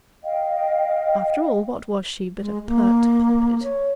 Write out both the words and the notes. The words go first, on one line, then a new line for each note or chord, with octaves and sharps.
After all, what was she but a "pert poppet"?
D#5 F5 G5
G#3
A#3
C#5